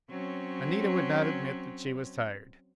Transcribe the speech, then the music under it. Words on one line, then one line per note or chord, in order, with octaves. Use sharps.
Anita would not admit that she was tired.
F#3 C4 C#4